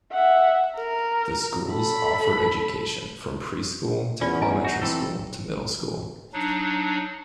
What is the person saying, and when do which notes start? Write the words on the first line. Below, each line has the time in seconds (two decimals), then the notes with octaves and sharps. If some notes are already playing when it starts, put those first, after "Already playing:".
The schools offer education from Preschool to Elementary School to Middle School.
0.11 E5 F#5
0.76 A#4
1.69 A4 B5
4.21 E2 C#4 F4 D5
4.41 D#5 G#5 A#5
4.65 D#4 F#4
4.82 E3 C4 A4
6.33 F#3 D4 D#4